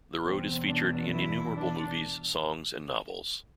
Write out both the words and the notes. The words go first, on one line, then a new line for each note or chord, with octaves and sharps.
The road is featured in innumerable movies, songs, and novels.
E2 B2 G3 C4
D4
E4
D4